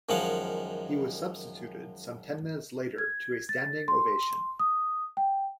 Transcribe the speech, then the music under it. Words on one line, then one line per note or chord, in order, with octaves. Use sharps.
He was substituted some ten minutes later to a standing ovation.
F#2 D#3 F3 G#3 F5 F#5
G#6
A6
C6
D#6
G5